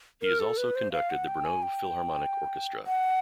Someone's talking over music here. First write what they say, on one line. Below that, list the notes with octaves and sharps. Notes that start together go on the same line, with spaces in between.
He has also conducted the Brno Philharmonic Orchestra.
A#4
A4
B4
C5
F5
F#5
G5
G#5
G5
F#5